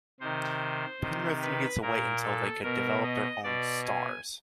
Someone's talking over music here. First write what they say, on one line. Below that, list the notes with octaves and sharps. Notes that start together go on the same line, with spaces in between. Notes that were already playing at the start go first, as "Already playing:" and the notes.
Penrith needed to wait until they could develop their own 'stars'.
C3 D#3 C5
C3 D#3
B4
A#2 A#4
A4
B2 A#4
D#5
B2 D5
G#5